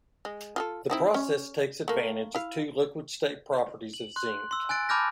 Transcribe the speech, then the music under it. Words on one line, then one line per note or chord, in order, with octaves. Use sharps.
The process takes advantage of two liquid-state properties of zinc.
G#3
F4 G#4 A4
C4 D#4 E4
C#4
A3 A#3
E4 F5
F#7
C6 F#6
C6 E6
G#5 F#6 A6 D7
A5 B5 D6 F6 G6 A#6